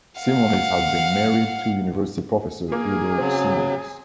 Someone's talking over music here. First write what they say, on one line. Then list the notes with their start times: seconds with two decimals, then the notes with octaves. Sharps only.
Simonis has been married to university professor Udo Simonis.
0.21 F5 F#5
2.72 A#3 G#4
3.18 C#3 F#3 C4